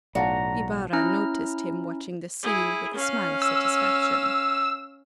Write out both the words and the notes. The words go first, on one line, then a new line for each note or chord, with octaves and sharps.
Ibarra noticed him watching the scene with a smile of satisfaction.
B1 A2 F#4 D5 F5 A5 A#5
C#4 E4 A#5 F6
E4 G#4
C#4 F5
E6